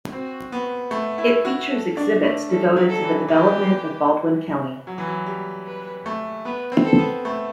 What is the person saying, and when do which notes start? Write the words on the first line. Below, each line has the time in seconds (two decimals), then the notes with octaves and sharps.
It features exhibits devoted to the development of Baldwin County.
0.12 C4 F#4
0.52 B3
0.91 A3
1.18 E4
1.45 F#4
1.71 A4
1.97 D4
2.23 A3
2.49 G3 A4
2.76 F#3
2.89 A4
3.02 E3
3.28 E3 G4
4.87 F#3
4.98 E3
5.08 F#3
5.26 G3
5.66 B4
6.06 A3
6.45 B3 B4
6.72 C4
6.85 A4
6.98 B3
7.25 A3